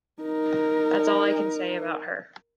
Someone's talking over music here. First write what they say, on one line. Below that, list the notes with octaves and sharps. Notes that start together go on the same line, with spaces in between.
That's all I can say about her.
D#4 A#4